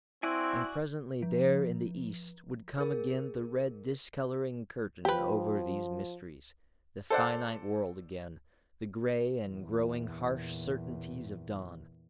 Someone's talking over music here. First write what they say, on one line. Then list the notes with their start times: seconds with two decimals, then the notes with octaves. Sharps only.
And presently, there in the east, would come again the red discoloring curtain over these mysteries, the finite world again, the gray and growing harsh certainties of dawn.
0.23 C4 E4 F#4 D5 G#5
1.22 F3
2.78 G#4 A#4
5.05 F3 G4 B4
7.10 A4 C5 D5 F#5
9.44 E2 A#2